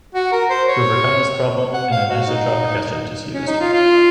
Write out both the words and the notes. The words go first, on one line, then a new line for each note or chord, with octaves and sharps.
To overcome this problem an anisotropic etchant is used.
F#4
A#4
C5
C#5
F#5
F5
F#4
D#4
C#4
D#4
F4
F4